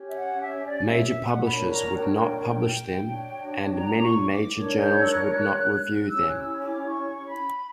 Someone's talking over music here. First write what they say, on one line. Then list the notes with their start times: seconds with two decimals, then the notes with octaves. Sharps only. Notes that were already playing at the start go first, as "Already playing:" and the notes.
Major publishers would not publish them and many major journals would not review them.
Already playing: C#4 G4 C#5
0.09 E5
0.15 F#5
0.40 E5
0.65 D5
0.85 E5
1.05 E5
1.25 F#5
1.44 D4 F#4 A#4 C#5 B5
1.69 A#5
1.96 G5
2.99 D4 F#4 C#5
3.77 A#5
3.98 D6
4.03 C#6
4.29 D6
4.55 D4 A#4 C#5
4.81 G6
4.99 E6
5.07 F#6
6.00 F#6
6.10 C#4 E4 G4 C#5 E6
6.29 F#6
6.36 E6
6.61 D6
6.88 C#6
7.27 B5